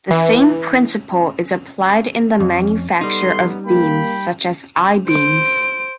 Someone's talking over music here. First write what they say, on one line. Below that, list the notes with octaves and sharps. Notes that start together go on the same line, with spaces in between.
The same principle is applied in the manufacture of beams such as I-beams.
E3
F2 C#4
G3 B3 D#4 A4 C6
A#3 G5 B5
C5 D7